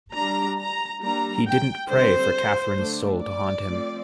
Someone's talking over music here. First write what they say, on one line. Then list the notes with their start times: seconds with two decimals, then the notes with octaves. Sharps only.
He didn’t pray for Catherine’s soul to haunt him.
0.14 G3 D4 A#5
0.58 A#5
1.02 G3 A#3 D4 A#5
1.46 G5
1.89 D3 G3 C4 C5
2.79 D3 A3 D4
3.22 D5
3.67 F3 A3 C4